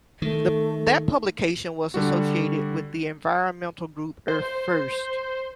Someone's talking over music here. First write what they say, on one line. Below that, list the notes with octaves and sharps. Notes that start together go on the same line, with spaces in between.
That publication was associated with the environmental group Earth First!
D#3 A3
D3 G3 F#4
C5